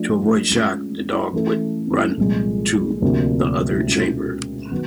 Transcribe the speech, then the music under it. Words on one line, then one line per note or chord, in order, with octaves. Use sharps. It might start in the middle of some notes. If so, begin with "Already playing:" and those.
To avoid shock, the dog would run to the other chamber.
Already playing: F3 A3 D4 F4
G#3 C#4 F4
E3 A3 C#4 E4 A4
C2 A#2 F3 G#3
D2 C3 F3 A#3 D4
B2 G#3 C#4 F4
D#3 F#3 B3